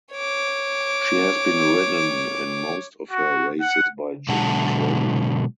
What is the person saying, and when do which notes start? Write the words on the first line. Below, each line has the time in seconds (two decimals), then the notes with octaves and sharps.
She has been ridden in most of her races by Jim Crowley.
0.14 C#5 D6
3.10 F#4
3.61 F#5
4.29 B2 D3 F#3 G#3 F#5 A5